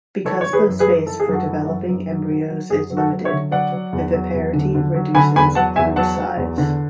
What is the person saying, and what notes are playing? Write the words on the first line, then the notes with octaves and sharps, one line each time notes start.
Because the space for developing embryos is limited, viviparity reduces brood size.
E3 A4 C#5
C#5
E3
G#4 B4
F#2
G#4 B4
E3
E3 A4
G#4
F#2
F#4 A4
E3
F#2
F#2
F#3
F#3
F#3
F#2 G#4
F#3
F#4 A4
F#3
C#5 E5
D3
F#3 D5 F#5
F#3
E2
F#3
E2
D3
D3
F#3
D3 G#5 B5
E2 G#5 B5
F#3 F#5 A5
E2 E5 G#5
F#3 F#5 A5
F#3
E2
D3